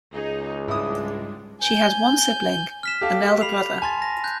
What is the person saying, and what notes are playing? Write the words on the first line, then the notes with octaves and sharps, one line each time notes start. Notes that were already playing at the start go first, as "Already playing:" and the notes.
She has one sibling, an elder brother.
C#2 D#4 G#4
G#2 G3 G#3 D4 E4 D#6
G#5 G6
F6 B6 E7
G4 A4 F5
B5 C7 F7
G#5 A5 C6 A6
A#6
F#6 G6